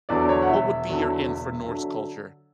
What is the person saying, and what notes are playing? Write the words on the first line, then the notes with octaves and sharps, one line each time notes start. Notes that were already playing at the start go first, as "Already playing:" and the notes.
what would be your in for Norse culture?
E2 D3 F#3 D5
C#5
F#5
E1 E5
E2 D3 F#3
E1
D3 F#3